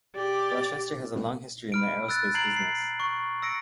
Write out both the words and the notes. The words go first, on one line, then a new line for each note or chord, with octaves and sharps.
Gloucester has a long history in the aerospace business.
G4 D5
B5 F6 D7
E6 F#6 A6
A#5 G#6 C7 D7 F#7
C7
C#6
E6 A#6 C#7 D7